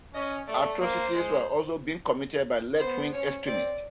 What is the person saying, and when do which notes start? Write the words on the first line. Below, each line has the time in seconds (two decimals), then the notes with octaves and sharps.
Atrocities were also being committed by left-wing extremists.
0.14 C#4 D#5
0.47 A3 D5
0.80 A#3 C5
1.14 G#3
2.80 B3 C5
3.13 C#4 C#5
3.46 C4 D5